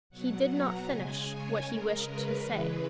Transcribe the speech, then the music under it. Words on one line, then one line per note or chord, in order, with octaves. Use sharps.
He did not finish what he wished to say.
B2 F#3 F#5
A#5
C#3 G#3 G#5
C#5
C#3 G#3 A#4
B4
C#3 E3 G#3